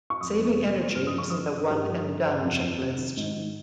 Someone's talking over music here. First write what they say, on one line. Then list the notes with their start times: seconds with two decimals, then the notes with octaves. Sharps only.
Saving energy isn’t a one-and-done checklist.
0.10 C#6
0.21 F2 D#6
0.39 F2
0.57 C3
0.76 F3
0.95 G2 F6
1.07 D#6
1.13 F3
1.18 C#6
1.30 F3 D#6
1.50 G2
1.69 G2
1.88 F3
2.07 F3
2.25 G2
2.43 F2
2.62 F2
2.80 C3
2.98 D#3
3.17 G#2
3.36 D#3